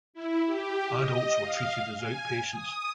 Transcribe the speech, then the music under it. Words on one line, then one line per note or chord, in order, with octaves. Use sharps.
Adults were treated as outpatients.
E4
G4
D#5
F5
G#5
D#6